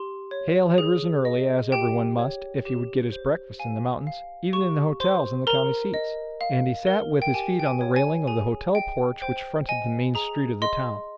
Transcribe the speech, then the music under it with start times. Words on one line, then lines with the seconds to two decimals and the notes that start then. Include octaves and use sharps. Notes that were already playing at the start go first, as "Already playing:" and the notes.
Hale had risen early, as everyone must if he would get his breakfast in the mountains, even in the hotels in the county seats, and he sat with his feet on the railing of the hotel porch which fronted the main street of the town.
Already playing: G4 C6
0.31 C#5
0.78 G#4
1.25 D#5
1.72 G4 G5
2.19 C#5
2.65 G4
3.12 C5
3.59 F5 G#5
4.07 F5
4.53 G4 C#6
5.00 C5 C6
5.47 A#4 A#5
5.94 D#5
6.41 F5
6.87 A#4
7.22 G5
7.34 G4 G#5
7.60 G5
7.66 G#5
7.81 C#5
7.96 G#5
8.27 G#4 G#5
8.75 D#5 G5
9.22 C5 G5
9.69 D#5 G#5
10.15 G#4 A#5
10.62 D#5 C6